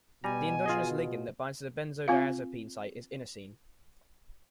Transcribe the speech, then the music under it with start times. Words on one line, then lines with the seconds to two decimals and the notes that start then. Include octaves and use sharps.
The endogenous ligand that binds to the benzodiazepine site is inosine.
0.24 B2 G3 G#5 A#5
0.66 F4 G#4 D#5
2.08 C4 F4 F5